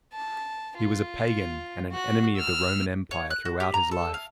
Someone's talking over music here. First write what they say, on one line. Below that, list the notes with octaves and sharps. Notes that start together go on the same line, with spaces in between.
He was a pagan and an enemy of the Roman Empire throughout his life.
A5
F4
F#4 F#6
E6 F6
C#5
F#6
F#4
G4
A#5
A4
F5